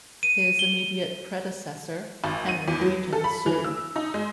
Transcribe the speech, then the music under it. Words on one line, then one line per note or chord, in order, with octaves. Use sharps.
His immediate predecessor Henry Wheaton sued.
D#7
G7
G#1
D#7
E2
F#3
A4
B5
E3
E6
D#4
G#3